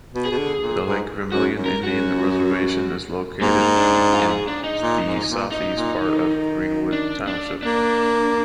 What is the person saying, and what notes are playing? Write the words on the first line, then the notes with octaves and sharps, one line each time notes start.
The Lake Vermilion Indian Reservation is located in the southeast part of Greenwood Township.
B2
G#4
B2
D3
A#2
G#2
F#2 F#4
F#2
A#4
F#2
F#4
G#2 A#3
A#3
D4
D4
F4
G#4
D4
D#4
A#2
G#2
A#2
D#4
A#2
D#3
D4
D4
A#3 D4